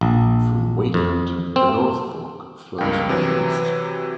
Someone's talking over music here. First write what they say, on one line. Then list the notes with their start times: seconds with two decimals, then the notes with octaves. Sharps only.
From Wheatland the North Fork flows northeast.
0.01 A#1
0.94 F2
1.56 C4
2.79 C#2 G2 A#3 G5
3.09 C3 E3 F#3 B4